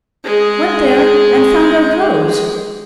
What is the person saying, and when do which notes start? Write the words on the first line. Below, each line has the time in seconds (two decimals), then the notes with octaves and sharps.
Went there and found our clothes.
0.25 G#3 G#4